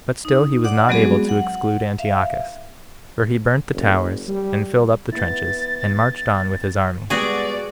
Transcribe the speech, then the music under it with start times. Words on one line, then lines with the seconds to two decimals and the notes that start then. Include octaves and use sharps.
But still he was not able to exclude Antiochus, for he burnt the towers, and filled up the trenches, and marched on with his army.
0.25 D#4
0.64 D5 F#5 D6
0.89 F#3 G#3 B3 C4 F#4 G#4
1.29 F#5
1.98 E5 F5
3.74 F#1
4.28 G3
5.12 B3 E4 A6
7.10 G3 G#3 B3 F#4 G#4 D5